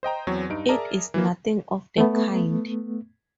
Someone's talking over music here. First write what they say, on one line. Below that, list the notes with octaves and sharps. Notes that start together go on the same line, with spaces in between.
It is nothing of the kind.
C5 D#5 G5 A#5
E2 F#3 C4 C#6
G2 D#4 D7
G#4 A#4 D5 E5 A5 A#5
E3 A#3
A3 B3